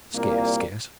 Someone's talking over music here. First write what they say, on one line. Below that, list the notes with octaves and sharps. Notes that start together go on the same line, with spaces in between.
Scarce, scarce!'
C2 A#2 G3 A#3